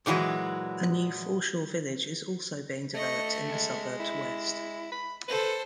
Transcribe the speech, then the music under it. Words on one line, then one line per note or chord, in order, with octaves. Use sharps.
A new foreshore village is also being developed in the suburb's west.
A#2 D3 E3 F#3 G#3
A3 D#5 C#6
G#3
E4
B5
A4 B4 C5